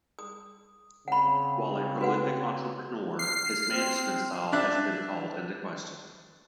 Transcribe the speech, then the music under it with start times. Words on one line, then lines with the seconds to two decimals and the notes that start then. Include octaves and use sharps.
While a prolific entrepreneur, his management style has been called into question.
0.19 D#6
1.08 C#3 C4 F#5 B5
2.01 F#4 B4 F#5
3.19 F6 C7
3.72 C4
4.52 D4 D5 E5 F#6